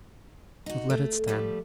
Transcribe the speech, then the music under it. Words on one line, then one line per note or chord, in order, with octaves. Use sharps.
But let it stand.
D#4 F#4
A3
F3 G3 A3